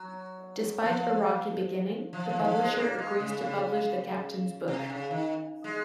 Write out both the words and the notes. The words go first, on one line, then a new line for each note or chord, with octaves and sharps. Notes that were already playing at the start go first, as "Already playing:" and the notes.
Despite a rocky beginning, the publisher agrees to publish the Captain's book.
Already playing: F#3
F3
F3
F3
D#3
F3
G#3
A#3
G#3
C#3
C#3
C3
C#3
D#3
G#3